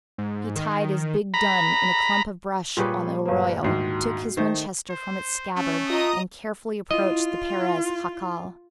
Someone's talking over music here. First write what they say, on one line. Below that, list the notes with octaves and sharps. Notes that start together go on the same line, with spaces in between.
He tied his big dun in a clump of brush on the arroyo, took his Winchester from its scabbard, and carefully approached the Perez /jacal/.
G#2
D#3
A#5 B5
A#2 G3 G4 G#4 B4 C#5
G1 A#3 B4 C5 F5
D2 G#2 D#3 F#4 C7
D#3 A3 C5
C5
A3 C#4
F4 D#5 A#5 D#6
E4 F4 D#5